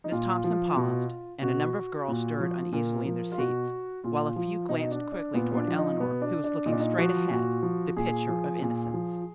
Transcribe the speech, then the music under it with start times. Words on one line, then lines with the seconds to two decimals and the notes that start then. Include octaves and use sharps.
Miss Thompson paused and a number of girls stirred uneasily in their seats, while a few glanced quickly toward Eleanor, who was looking straight ahead, the picture of innocence.
0.04 D#4
0.11 A#2 F4
0.44 F3
0.76 B2
1.42 B2 F#4
2.08 A#2
2.40 F3
2.72 A#2 A#4
3.05 F3
3.32 F4
3.38 B2 F#4
4.04 A#2 F4
4.36 F3
4.69 B2 D#4
4.91 D4
5.12 D4
5.34 A#2 B3
5.52 B3
5.56 D4
5.68 F3
5.78 D#4
6.00 B2 B3
6.21 D4
6.44 D4
6.66 A#2 D#4
6.72 D4
6.80 D#4
6.98 F3 F#4
7.31 A#2 F#4
7.63 F3
7.97 A#2 G#4
8.29 F3
8.62 A#2
8.94 F3